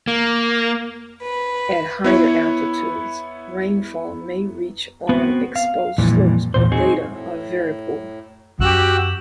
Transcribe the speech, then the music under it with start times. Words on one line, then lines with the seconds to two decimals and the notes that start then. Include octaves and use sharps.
At higher altitudes, rainfall may reach on exposed slopes but data are very poor.
0.08 A#3
1.21 B4
2.04 B3 E4 C#5
5.09 B3 C4 F#4 B4
5.56 F5
5.98 F2 A#2 E3 G3
6.54 E2 A#2 C5
6.72 C4 D#4 F#4 G#4
7.07 A2
8.61 F#2 F#4 G4 E6 F#6